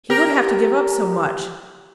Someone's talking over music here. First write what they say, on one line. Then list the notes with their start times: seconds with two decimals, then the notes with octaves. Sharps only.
He would have to give up so much.
0.10 G4 A#4